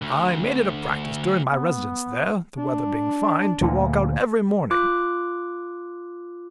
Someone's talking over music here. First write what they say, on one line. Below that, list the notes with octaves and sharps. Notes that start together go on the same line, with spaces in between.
I made it a practice during my residence there, the weather being fine, to walk out every morning.
D2
B3
D4
D2 A#2 D3
F4 D6 F#6